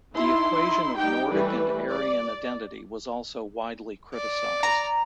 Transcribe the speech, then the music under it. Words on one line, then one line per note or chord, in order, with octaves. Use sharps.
The equation of Nordic and Aryan identity was also widely criticized.
D#4 E4 C6
G3 D#4 G4 G5
E3 G3 A3 B4
D5
D5
A#5